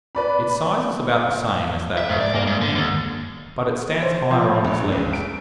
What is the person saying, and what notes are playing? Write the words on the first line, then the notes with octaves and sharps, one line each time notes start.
Its size is about the same as that of a common hen, but it stands higher on its legs.
B4 D5 B5
E5
G#2
D5
A#3
G#2
D3
D#2
C5
F3
A#1
C#2
D7